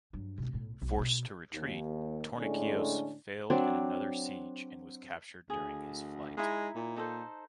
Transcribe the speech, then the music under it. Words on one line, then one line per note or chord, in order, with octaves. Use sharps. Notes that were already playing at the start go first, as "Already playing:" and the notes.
Forced to retreat, Tornikios failed in another siege and was captured during his flight.
G2 F#3
A#1 B2
B1 A2
B1
B2
D#2
A2 D3 G#3 C#4 D4
F#3 C4 D4
D2 G#4
G#3 D#4 E4
A#2
D#4 A4 C5